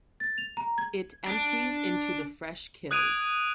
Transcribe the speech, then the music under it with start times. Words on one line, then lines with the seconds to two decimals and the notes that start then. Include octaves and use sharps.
It empties into the Fresh Kills.
0.20 A6
0.38 F7
0.57 A#5
0.78 G#6
1.27 D4
2.91 D#6 F#6 G#6 D7 D#7 F7